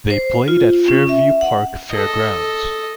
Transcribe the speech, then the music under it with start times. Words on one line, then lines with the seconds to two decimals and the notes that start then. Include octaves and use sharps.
They played at Fairview Park Fair Grounds.
0.10 C5
0.48 F4
0.88 C#4
1.09 E5
1.41 F#5
1.90 A4 D#5